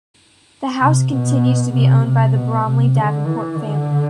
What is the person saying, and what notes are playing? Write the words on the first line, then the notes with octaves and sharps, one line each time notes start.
The house continues to be owned by the Bromley-Davenport family.
C3
B2
C3
C3
B2
C3
D3
E3
D3